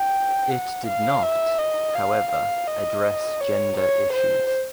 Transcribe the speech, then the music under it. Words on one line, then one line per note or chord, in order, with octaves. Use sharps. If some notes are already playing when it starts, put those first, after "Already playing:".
It did not, however, address gender issues.
Already playing: G5
F#5
F5
E5
D#5
F5
F5
D#5
C#5
C#5
C5